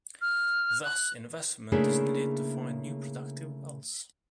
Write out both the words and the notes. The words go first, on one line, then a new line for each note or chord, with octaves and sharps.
Thus, investment is needed to find new productive wells.
F6
F#6
C#3 A3 A#3 D4 E4 G#4